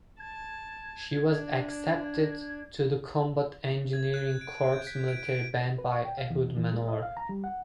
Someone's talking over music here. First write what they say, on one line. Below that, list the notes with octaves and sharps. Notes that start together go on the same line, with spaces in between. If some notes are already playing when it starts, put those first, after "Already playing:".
She was accepted to the Combat Engineering Corps military band by Ehud Manor.
A5 G#6
D4
G#6
F#6
D7
G6
B6
D7
D7
B4
C#6
G5
F5
E2
E3
G#3
D#5
F5
A#5
G3
F#5